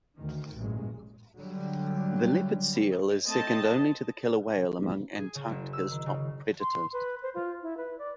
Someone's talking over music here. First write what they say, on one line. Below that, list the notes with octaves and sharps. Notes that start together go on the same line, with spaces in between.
The leopard seal is second only to the killer whale among Antarctica's top predators.
D2 D#3
A1 G2 A#2 F#3 G#3
D3 F#3 G3
A3 C4 D#5 A5
G#4
C#3
F#1
E6
D#3
C#3
C6
B4
C5
F4
E4
B4
D5